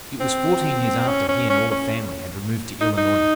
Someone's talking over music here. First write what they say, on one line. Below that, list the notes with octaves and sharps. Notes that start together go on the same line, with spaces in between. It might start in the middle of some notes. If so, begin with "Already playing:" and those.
It was fourteen years after he and all the family had removed to Illinois.
C4
C#4
C#4
C#4
C#4
D#4
D#4